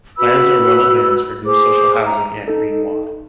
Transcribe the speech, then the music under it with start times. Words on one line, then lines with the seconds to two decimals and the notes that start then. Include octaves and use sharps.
Plans are well advanced for new social housing at Green Walk.
0.18 F#4 B4 B5 E6
1.45 G#4 C5 D6
2.04 A#5
2.48 D#4 A4